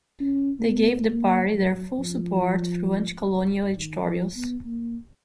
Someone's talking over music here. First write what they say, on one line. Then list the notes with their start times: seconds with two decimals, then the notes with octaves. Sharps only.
They gave the party their full support through anticolonial editorials.
0.20 C#4
0.65 B3
1.10 A#3
1.54 F#3
1.99 F3
3.76 D#3
4.06 F3
4.36 B3
4.65 A#3